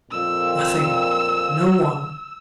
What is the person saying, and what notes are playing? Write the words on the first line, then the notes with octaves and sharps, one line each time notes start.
Nothing--no one!
F2 A#2 E6